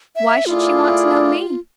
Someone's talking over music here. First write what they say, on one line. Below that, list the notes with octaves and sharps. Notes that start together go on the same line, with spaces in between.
"Why should she want to know me?"
E5
A3 E4 F4 G#4 D5 F5